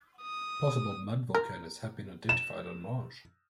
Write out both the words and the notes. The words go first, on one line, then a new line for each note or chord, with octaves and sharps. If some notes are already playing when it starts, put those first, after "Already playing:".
Possible mud volcanoes have been identified on Mars.
D#6
A#4
E7